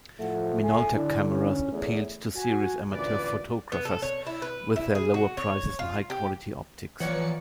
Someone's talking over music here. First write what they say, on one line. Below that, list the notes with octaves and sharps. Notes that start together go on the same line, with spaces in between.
Minolta cameras appealed to serious amateur photographers with their lower prices and high-quality optics.
A2 F3 A3 F#5
C#2 A2 G#5
D3 D4 E4
C#4
E2 A3 B3 C#5
F#4 G#5
A1 D2 A#2 B4 D5
B3
A4
C#5
E4
B4
E4
G#4
F#4
C#5
F4
G4
E3 F3 A#3 C#5 D5 F#5 C#7